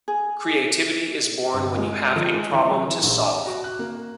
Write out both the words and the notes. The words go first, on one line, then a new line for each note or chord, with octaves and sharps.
Creativity is born when you have a problem to solve.
G#4
G1
G#3
F3
G#3
E3
F#3
E3
A#1
D6
F#4
F#6
A#3